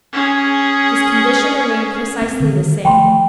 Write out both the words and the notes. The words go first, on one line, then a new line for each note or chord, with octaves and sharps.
His condition remained precisely the same.
C#4 G#4
C4
D3 D#3 G3
F3 G3 A3 G5 B5 C6